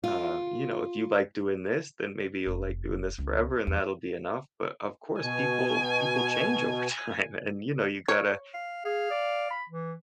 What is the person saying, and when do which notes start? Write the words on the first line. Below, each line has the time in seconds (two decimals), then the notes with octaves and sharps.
uh, you know, if you like doing this, then maybe you'll like doing this forever, and that'll be enough," but of course, people people change over time, and, you know, you gotta
0.04 F4
2.46 F1
3.18 C#2
3.67 E2
5.21 B2 G#5
8.08 C#5
8.54 F5
8.85 G#4 F5
9.10 D5
9.51 B5
9.70 E3